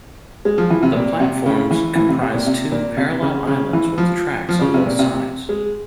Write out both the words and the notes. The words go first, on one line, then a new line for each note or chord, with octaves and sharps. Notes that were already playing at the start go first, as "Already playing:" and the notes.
The platforms comprise two parallel islands with tracks on both sides.
G#3
F3
E3
C3
A#2
C3
C#3
E3
E3
C3
C3
A#2
C3
A#2
C3
C#3
C#3
E3
F3
F3
C#3
C3
A#2
C3
G#3